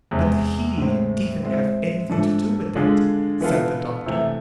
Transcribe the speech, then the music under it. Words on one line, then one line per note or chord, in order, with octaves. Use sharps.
"But HE didn't have anything to do with it," said the Doctor.
E2 C3 G#3
A2 G#3 C4
G#3 C4 E4
G#2 F3 A3 D4 A4
D3 G#3 D4 F4 G#4
E3 B3 F4 A4
C3 E3 A3